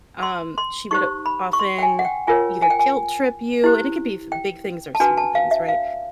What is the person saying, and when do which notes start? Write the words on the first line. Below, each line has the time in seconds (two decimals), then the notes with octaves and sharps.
Um, she would often either guilt-trip you, and it could be f big things or small things, right?
0.23 C6
0.58 C6
0.91 D#4 G4 C5 C#6
1.26 B5
1.53 C#6
1.59 C6
1.78 G5
1.83 G#5
1.99 F#5
2.05 G5
2.27 F4 A#4 C#5 G#5
2.62 G#5
2.70 G5
2.79 G#5
3.64 E4 G4 C5
4.32 G5
4.95 A5
5.00 D4 F#4 B4 G#5
5.17 A5
5.35 F5
5.51 E5
5.69 F5